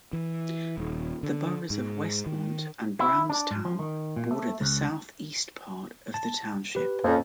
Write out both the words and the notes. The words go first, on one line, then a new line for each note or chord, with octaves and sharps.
The boroughs of Westmont and Brownstown border the southeast part of the township.
E3
D#1
D3
G#2
D#3
E4
D4
G#2
F3
D#3
A#2
A3
C#2
A5
G4 B4
F2 A#3 C#4